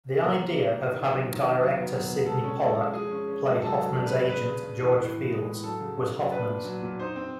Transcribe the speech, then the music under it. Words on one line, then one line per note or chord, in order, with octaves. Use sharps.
The idea of having director Sydney Pollack play Hoffman's agent, George Fields, was Hoffman's.
A#2 A#4
A#2
G3
A#3
D#3
F#3
D#3
D#3
F#3
B3
F#3
B2
G#3 A4
C#4
G#3 A4
G#3
F3 G#4
C#4
C#4
G#3
F#3 A4
F#3
D4
B4
D4
C#3 B4
C#3
C#3
E3
A2
E3
G#3
A2
F#3 A4
C#3
C#4
F#3
D4 B4
A#2
F#3
A#2
D#4 C5
C4